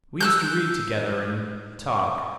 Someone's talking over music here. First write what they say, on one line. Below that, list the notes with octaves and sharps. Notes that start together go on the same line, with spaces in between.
We used to read together and... talk.
E6 F#6 G6